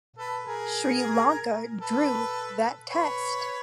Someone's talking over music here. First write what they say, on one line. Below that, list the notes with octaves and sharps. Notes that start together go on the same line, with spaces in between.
Sri Lanka drew that Test.
A4 B4
G#4 A#4
A4 B4
B4 C#5